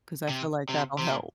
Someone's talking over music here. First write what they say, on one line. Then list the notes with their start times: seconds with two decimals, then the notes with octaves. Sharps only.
'Cause I feel like that'll help.
0.29 C3
0.69 C3
0.99 C3
1.10 A#2